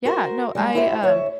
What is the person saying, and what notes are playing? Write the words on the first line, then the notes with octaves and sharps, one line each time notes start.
Yeah, no, I, um
F#4 A#4 C5
G3 G#3
E4 F#4 G4 C5 D#5 E5
D2 C#5 E5